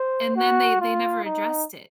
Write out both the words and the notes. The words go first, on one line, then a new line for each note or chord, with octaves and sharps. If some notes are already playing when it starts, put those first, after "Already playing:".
and then they they never addressed it,
Already playing: C5
F#4
F4
D#4